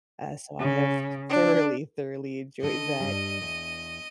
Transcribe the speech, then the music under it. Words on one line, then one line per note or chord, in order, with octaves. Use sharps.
uh, so I have thoroughly, thoroughly enjoyed that,
C#3
D4
D3 A4 D#5 D#7
G2 G3
E2